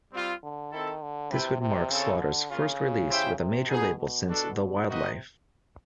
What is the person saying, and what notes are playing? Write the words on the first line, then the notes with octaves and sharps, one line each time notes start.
This would mark Slaughter's first release with a major label since "The Wild Life".
G3 C4 F4
D3
D#3 C4 E4 A4
D3
C3 E4 G4 B4 E5 G5
C3
C#3 C4 E4 A4 C#5
D3
C#3 A#3 C#4 F4
E4 G4 C5 E5 G5
C3
B2 B3 D#4 G#4
B2
D4 F#4 A4
C3 A#3 D#4 F#4 B4 D#5